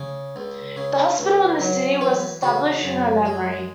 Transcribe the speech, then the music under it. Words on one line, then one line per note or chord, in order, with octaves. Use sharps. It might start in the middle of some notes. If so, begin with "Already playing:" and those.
A hospital in the city was established in her memory.
Already playing: C#3
C#2
C#3
C#2
F#3
E3 B4
C#3 F#4
F#2
G#3